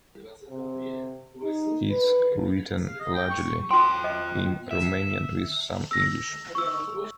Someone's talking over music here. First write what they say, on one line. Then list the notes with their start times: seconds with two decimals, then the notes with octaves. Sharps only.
It is written largely in Romanian with some English.
0.49 C3
1.44 D#4
1.90 B4
2.87 F5
3.00 D#5
3.14 G5
3.30 C#6
3.71 F4 G5 C6
4.04 D#5
4.71 E5
5.91 E6 A#6
6.55 C#6 E6